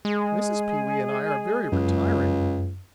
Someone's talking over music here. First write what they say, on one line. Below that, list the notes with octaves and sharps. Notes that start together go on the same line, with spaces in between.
Mrs. Pewee and I are very retiring.
G#3 G#4
C#2 F#2